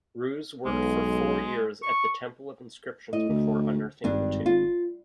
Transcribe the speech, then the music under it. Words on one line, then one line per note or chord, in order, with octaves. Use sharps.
Ruz worked for four years at the Temple of Inscriptions before unearthing the tomb.
B1 G#3
C#6
A2 D#5
D2
G#1 G2 D4
F4